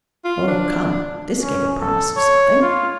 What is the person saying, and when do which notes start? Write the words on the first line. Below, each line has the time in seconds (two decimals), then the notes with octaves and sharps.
Oh come! this gave a promise of something.
0.25 F4
0.48 D4
1.40 C#4
1.80 A4
2.17 C#5
2.62 F4